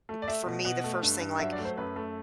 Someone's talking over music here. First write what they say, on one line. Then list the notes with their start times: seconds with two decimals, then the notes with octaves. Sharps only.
u m for me the first thing, like,
0.09 A3
0.22 D5
0.28 A3 E5
0.46 B2
0.65 B2 F#5
0.84 A3
1.03 G2
1.21 G2
1.39 F#3 E5
1.52 D5
1.59 A3
1.65 C5
1.77 F#2 B4
1.96 A3